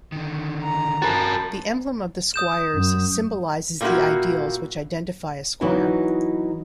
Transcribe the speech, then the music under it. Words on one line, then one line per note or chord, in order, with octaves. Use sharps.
The emblem of the Squires symbolizes the ideals which identify a squire.
D3 D#3
A#5
F#4 A#4 A5 B5 A6
D#6 G6 E7
F#2
A#2 G3 A#3 C#4 E4 F#4
E3 F#3 B3 D#4 E4 F#4